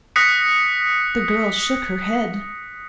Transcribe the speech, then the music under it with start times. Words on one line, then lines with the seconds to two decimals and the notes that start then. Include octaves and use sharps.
The girl shook her head.
0.16 D#6 F#6 A#6 B6 C#7